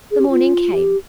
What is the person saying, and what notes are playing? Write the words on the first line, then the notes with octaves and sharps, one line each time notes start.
The morning came.
G#4
G4
F4
G4